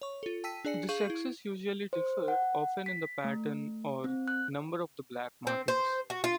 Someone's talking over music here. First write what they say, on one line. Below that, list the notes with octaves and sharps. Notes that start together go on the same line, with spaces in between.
The sexes usually differ, often in the pattern or number of the black markings.
C#5 C#6
F4 A4
G5 A5 E6 B6 D#7
D4 G#4 D5 G#5 C#7
G#4 F5 C#6 G6 D#7 F#7
E4
C5
F#5
B6
A3
C4
F#6
C4
C5
F#4
F4